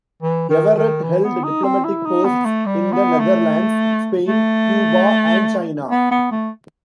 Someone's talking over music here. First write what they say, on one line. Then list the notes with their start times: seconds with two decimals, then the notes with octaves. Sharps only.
Everett held diplomatic posts in the Netherlands, Spain, Cuba, and China.
0.23 E3
0.49 D#3
0.77 D#3
1.03 E3
1.24 B3
1.43 D#4
1.64 C4
1.84 E4
2.05 D#4
2.25 B3
2.45 A3
2.66 G3
2.92 B3
3.20 A3
4.28 A3
5.91 B3
6.11 B3
6.31 A3